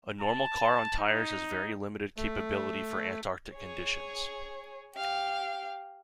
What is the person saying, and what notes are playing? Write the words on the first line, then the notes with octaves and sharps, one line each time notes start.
A normal car on tires has very limited capability for Antarctic conditions.
A5
D#4
A3
G#4 C#5
G4 F5